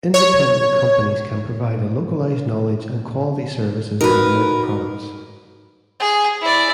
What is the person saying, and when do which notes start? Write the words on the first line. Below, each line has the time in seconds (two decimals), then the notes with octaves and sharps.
Independent companies can provide a localized knowledge, and quality services and mud products.
0.14 C#5
4.01 D#4 F#4 A#4 B4
6.00 G#4
6.41 E4 D5